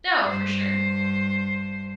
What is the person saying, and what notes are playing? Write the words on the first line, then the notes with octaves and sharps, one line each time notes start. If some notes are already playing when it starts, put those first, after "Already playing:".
No, for sure.
G2 C5